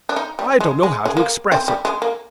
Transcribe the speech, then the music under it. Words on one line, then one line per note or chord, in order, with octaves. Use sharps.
I don't know how to express it.
D4
D#4
G3
G#3
G#3
G#3
A#3
C4
G3
G#3
A#3